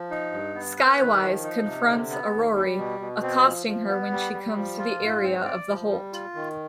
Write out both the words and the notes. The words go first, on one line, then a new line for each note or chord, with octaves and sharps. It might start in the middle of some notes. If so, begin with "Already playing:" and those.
Skywise confronts Aroree, accosting her when she comes to the area of the holt.
Already playing: F3
D#4
G2
B3
B4
D#3
F3
D#4
C3
D3
B3
D#2
G3
B2
B2
C4
F3
F3
B3
G3
G3
F3
F4
G#2
C4
D5
F3
G3
F4
D#3